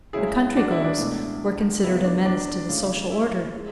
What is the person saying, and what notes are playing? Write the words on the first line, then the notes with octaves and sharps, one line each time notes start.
The country girls were considered a menace to the social order.
C#2 C#3 F#3 C#4 E4 G#4
D4 F#4
E4
D4
C#2 B2 A3 D4
C#2 C#3 E3 G#3 B3 E4
D4
D4
C#3 E3 A3 C#4
E4
G#3